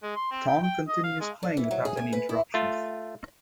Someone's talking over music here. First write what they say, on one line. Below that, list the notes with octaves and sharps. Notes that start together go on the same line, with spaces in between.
Tom continues playing without any interruptions.
G#3
C6
C4
G5
G5
D#5
F5
G#3
D4
E3
F#3
G#4
G#5
B4
E4
A3 F4